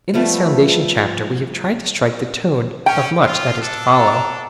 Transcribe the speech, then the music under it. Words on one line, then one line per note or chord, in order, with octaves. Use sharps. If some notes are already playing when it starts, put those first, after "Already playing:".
In this foundation chapter we have tried to strike the tone of much that is to follow.
F3 G3 A3 B3
C#4 G5
F4
D4 A4
A#5